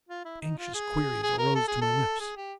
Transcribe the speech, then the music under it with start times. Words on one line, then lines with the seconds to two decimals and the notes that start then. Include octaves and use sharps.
Anxious queries arose to my lips.
0.09 F4
0.25 E4
0.41 D#4
0.58 F4
0.74 G#4
1.23 G#4
1.38 A#4
1.55 A4
1.68 G#4
1.82 A4
2.20 G#4
2.37 G4